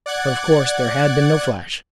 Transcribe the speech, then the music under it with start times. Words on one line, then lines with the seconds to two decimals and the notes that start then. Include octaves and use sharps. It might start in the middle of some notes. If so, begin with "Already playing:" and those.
But of course there had been no flash.
0.06 D5 F#5 F#6 G#6